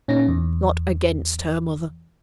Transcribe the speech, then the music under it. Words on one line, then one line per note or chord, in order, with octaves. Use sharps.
'Not against her, mother!
A#2 C#4 D#4 A#6
E2